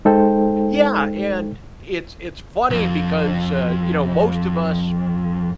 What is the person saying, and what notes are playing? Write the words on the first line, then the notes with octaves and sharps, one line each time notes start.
Yeah, and it's it's funny because, uh, you know, most of us
G#3 D#4 A4 C5 G5
C2 F2